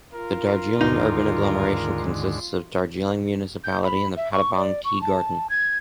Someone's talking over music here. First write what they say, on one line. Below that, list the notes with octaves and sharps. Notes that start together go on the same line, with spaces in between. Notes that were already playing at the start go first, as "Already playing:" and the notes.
The Darjeeling urban agglomeration consists of Darjeeling Municipality and the Pattabong Tea Garden.
F4 A#4
D#2 G#2 D3 D#4
G6
B5
E5
C#6
D5
C#6
A5
G#6